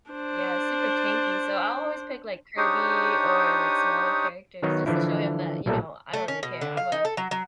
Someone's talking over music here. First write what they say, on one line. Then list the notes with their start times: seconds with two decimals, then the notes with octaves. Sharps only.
Yeah, super tanky, so I'll always pick, like, Kirby or, like, smaller characters just to show him that, you know, I don't really care. I'm a
0.11 D4 C5
2.57 D4 D#4 G4 C5 C#5 D#6
4.62 D#3 F#3 B3 D#4 C#5 D#5
4.86 D3 E3 F3 D4 E4
5.66 B1 A#2 G3 A4 E5
6.13 A3
6.28 C#4
6.43 B2
6.61 D3
6.77 F5
6.92 D#4
7.05 A4
7.17 F#3
7.31 F#3